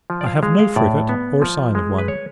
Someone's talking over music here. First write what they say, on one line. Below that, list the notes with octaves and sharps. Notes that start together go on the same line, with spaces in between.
I have no frigate, or a sign of one.
F3
D5
F5
G#3 F5
F5
A2 D5
B3
F3
G#3
B4
C#5